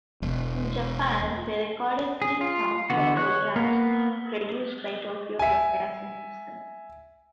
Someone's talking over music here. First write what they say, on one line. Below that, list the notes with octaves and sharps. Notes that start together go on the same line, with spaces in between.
In Japan, they recorded theme songs for programs produced by Tokyo Broadcasting System.
E1
G#4
F4
D3 E3 B3 F#4
C#5 C#6 F#6
A#3 B3 A#4 F5
E5 G#5